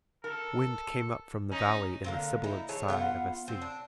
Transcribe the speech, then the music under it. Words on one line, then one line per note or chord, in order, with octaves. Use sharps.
Wind came up from the valley in the sibilant sigh of a sea.
A4 A#4
C#4 D#4
D3 A#3 C4
D#4 E4
E3 G#4 A4 C#5
B3 F4 F5 F#5
C4
D4